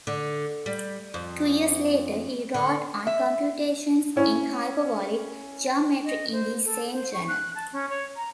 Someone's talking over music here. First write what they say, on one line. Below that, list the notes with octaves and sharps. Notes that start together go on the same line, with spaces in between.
Two years later he wrote on computations in hyperbolic geometry in the same journal.
D3
G3
F2
D3
E5
C#4 E4
D#5
C5
A4
C5
C#6
F#6
A5
C#4
C#5
A#5